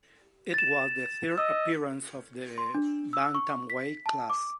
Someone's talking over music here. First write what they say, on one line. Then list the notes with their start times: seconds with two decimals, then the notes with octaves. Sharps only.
It was the third appearance of the bantamweight class.
0.54 A6 E7
1.38 D#5 E6
2.58 C6
2.74 D4
3.13 E6
3.34 C#6
3.70 B6
4.06 A5
4.30 D6